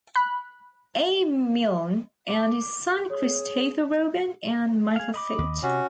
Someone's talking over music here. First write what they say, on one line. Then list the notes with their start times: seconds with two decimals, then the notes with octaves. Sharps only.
A. Milne and his son Christopher Robin, and Michael Foot.
0.16 B5 F#6
2.28 D6
3.10 G#4 C#5
4.96 G#4 F5
5.14 D#5 B5 D6
5.38 D#2
5.63 C3 C#4 F#4